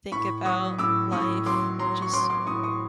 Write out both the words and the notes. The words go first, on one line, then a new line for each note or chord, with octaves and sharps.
think about life and just
A2 B5 C#6
F#3 C#6 D#6
A2 D6 E6
A2 C#6 D#6
F#3 C6 D6
F#3 A#5 C6
C#6
F#3 C6 D6
C6 D6
A2 C#6 D#6
C#6 D#6